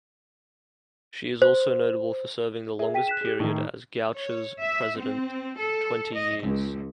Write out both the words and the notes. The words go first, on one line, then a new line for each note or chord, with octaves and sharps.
She also is notable for serving the longest period as Goucher's president, twenty years.
C5
G#4 A#4 E5
G5 B6 D#7
F#6 B6 E7
G4 G#4
A2 D#3 D#4
C#5
E5
C4
A4
D#5
C#2